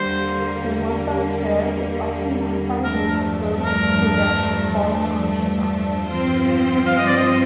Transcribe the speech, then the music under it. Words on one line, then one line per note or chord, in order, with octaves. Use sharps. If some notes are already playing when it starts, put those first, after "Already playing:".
The "Mussaf" prayer is also modified when Rosh Chodesh falls on Shabbat.
Already playing: D3 G3 A#3 C5
G2 F3 A3 D4 A#4
A#4
G2 F3 C4 F4 C5
F5
D#5
D5
D#5